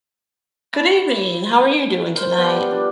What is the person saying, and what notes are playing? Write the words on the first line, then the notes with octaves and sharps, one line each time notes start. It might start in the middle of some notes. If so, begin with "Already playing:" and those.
Good evening, how are you doing tonight?
E4
A#4 C5
G3 B3 F4
D4